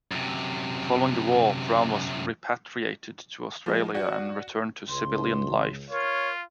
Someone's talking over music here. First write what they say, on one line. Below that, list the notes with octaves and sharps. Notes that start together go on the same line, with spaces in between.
Following the war, Brown was repatriated to Australia and returned to civilian life.
F#2 C3
F3 G#3
F#4 D5 F#5
C#2 C6
F4 A#4 C#5